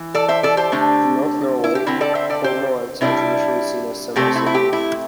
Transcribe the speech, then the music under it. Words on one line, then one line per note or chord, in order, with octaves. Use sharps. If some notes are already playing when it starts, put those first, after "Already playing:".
In North Norway, cormorants are traditionally seen as semi-sacred.
Already playing: E3
A4 D5
C5 E5
A4 D5
G4 C5
D3 A3 D4
E4
G4
D3 C4 E4 A4
A4 D5
C5 E5
A4 D5
G4 C5
C3 G3 D4 E4
C3 A3 C4 G4
E4
E4
G4
E4